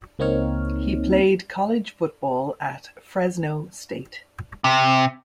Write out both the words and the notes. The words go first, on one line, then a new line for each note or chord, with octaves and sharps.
He played college football at Fresno State.
C#2 A#3 C4 D#4 C#5 F6
C3